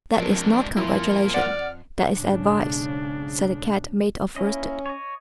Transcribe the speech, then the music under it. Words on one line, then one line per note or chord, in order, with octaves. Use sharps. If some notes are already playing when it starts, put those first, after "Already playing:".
"That is not congratulation; that is advice," said the Cat-made-of-worsted.
F3 G#3 C4 D4 A#4
F2 F3 A#3 E4 F4
D5 F#5 F6
B1 G#2 C#3 D4
A#3 C#4 E4 D#5
C#5 D#5